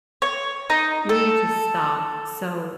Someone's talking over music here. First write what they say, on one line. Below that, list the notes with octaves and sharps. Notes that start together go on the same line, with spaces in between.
you need to stop." So,
C#5
D#4
A4